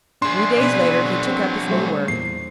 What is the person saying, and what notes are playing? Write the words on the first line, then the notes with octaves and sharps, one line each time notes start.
Three days later he took up his new work.
D4 G#4 C6
B2 C4 B4 D5
F#3
C4
G3 A3 C5
E2 A#2 C7